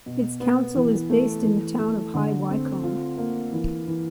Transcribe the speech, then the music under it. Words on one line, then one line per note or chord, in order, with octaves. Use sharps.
Its council is based in the town of High Wycombe.
B2
B3
E3
A3
E3
A3
D3
C4
F4
A#3
E3
E3